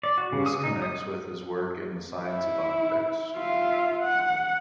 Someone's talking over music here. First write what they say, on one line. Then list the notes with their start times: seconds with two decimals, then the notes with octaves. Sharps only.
This connects with his work in the science of optics.
0.03 D5
0.18 F#4
0.33 C#3
0.46 D#6
0.64 D#4
0.82 D#6
2.21 E4
3.37 F4 E5
4.00 F#5